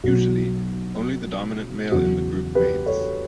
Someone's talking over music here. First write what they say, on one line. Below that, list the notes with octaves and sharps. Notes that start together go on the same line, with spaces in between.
Usually, only the dominant male in the group mates.
B1 B2 F#3 F#4
E2 C#3 F#3 F#4
G4 B4
A4 C#5